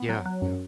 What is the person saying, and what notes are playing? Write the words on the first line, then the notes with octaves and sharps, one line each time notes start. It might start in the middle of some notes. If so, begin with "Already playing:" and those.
Yeah, yeah.
Already playing: B3
F#3
F#3
F#2